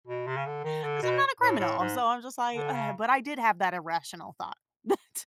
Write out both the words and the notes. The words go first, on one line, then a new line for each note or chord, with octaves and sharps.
'cause I'm not a criminal and so I'm just like, "Ugh," but I did have that irrational thought. That
B2
C3
C#3
D3
D#3
D3
B2
A2
A2
G#2
D3
C#3